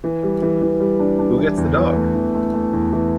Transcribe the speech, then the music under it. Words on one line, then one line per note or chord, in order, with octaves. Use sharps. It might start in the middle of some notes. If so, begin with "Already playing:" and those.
Who Gets the Dog?
E3
G3
E3
E3
G3
D4
D4
E3
E2
E3
A3
E2
A3
A3
E2
E3